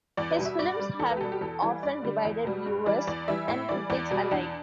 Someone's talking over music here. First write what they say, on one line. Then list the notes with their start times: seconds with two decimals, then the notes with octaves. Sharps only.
His films have often divided viewers and critics alike.
0.17 E2 D5
0.31 B4
0.38 B2 G3
0.45 E5
0.59 G2 D5
0.79 G3
1.00 E2 A4
1.11 B4
1.17 G4
1.21 B2 G3 A4
1.32 G4
1.41 E2 A4
1.62 E3 G3
1.83 G2 D5
2.03 D3 G3
2.25 E2
2.45 B2 G3
2.66 G2
2.86 E3 G3 D5
3.07 E2 D5
3.28 E3 G3 E5
3.48 A2 E5
3.69 E3 G3 D5
3.90 E2 D5
4.11 B2 G3
4.31 E2 D4